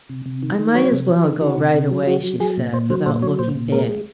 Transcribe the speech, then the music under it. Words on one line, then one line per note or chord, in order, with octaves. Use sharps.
"I might as well go right away," she said, without looking back.
C3
C3
D#3
D#3
F#3 C#5
C3
F#3
D#3
D#3 F#4
C3
C3
F#3
F#3 F#4
F#3
F#3 G#4
A#2
A#2 C5
F#3 C5
A#2 C5
F#3 C#5
A#2 C5
A#2
G#3 A#4
G#3